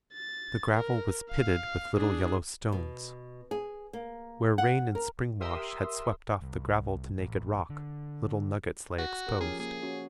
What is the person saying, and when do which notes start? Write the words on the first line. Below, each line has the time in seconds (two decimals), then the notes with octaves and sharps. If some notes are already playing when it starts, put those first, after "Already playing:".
The gravel was pitted with little yellow stones. Where rain and spring-wash had swept off the gravel to naked rock, little nuggets lay exposed.
0.13 A6
0.74 A#4
1.30 F5
1.96 D4 G#4
2.72 B2
3.51 G#4
3.93 A#3
4.58 F#5
4.95 A#4
5.40 G4 A#4 E5 C6 D#6 E6
6.42 C2
7.19 A1
7.70 D3
8.99 F#4
9.27 G4 A#4
9.41 F3 C#4 G#4
9.60 A#3 G#4
9.83 C#4 F#4